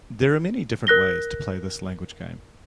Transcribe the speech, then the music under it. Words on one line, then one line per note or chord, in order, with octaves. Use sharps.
There are many different ways to play this language game.
A#4 F#6 A#6 G7